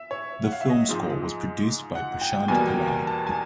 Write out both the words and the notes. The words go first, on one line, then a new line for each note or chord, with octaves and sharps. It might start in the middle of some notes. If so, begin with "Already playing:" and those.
The film score was produced by Prashant Pillai.
Already playing: E5
C#5
F#5
F5
E5
D#5
G#2 F3 G#3
F#5
G5
E2 B2 G3 A#3 G#5
G5
G#5
A5
G#5